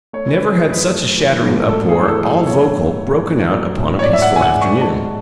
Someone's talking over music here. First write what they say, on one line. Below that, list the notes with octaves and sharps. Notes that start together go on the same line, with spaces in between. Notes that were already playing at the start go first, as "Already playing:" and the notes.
Never had such a shattering uproar, all vocal, broken out upon a peaceful afternoon.
A3 C#5
B4
E3
G#4
F#2
B4
A3
E3
G#2
A3 A4
G#4
E3
A4
F#2
A3 C#5
F#3
G#2
A3
F#3
A2
C#5
G#2 D5
E5
F#5
G#3
G#5
F#5
G#2
C#6
G#3 A5